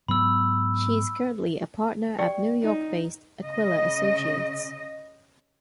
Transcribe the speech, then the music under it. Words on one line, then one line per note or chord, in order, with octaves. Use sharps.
She is currently a partner at New York-based Aquila Associates.
G#2 F#3 B3 B5 E6
G4 D5 G5
D#4
C#3 D#5